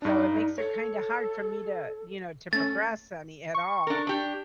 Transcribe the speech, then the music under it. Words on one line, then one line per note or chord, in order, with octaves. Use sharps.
So it makes it kinda hard for me to, you know, to progress any at all."
G2 D4 D#4
A4 C#5
A3 C#4 A6
C#6
D4 A#4
D4 G4